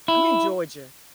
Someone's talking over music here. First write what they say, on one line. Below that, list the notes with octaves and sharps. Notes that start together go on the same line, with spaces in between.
I'm in Georgia.
E4